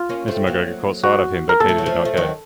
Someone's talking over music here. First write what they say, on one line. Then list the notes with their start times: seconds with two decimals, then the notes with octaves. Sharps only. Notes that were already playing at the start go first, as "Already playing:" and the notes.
Mr McGregor caught sight of him, but Peter did not care.
Already playing: F4
0.09 A#3 C#4
0.28 A3 C4
0.47 F#3 A#3
1.04 F#4
1.49 A#4
1.60 A#3 A4
1.68 A3
1.78 F#3
1.86 F3 A3
2.05 A3
2.17 D#3 F#3